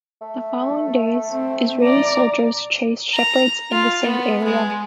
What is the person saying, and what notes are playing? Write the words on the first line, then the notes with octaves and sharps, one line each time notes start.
The following days, Israeli soldiers chased shepherds in the same area.
A3
C4
D5 A#5
A#5
F4
B3
G#3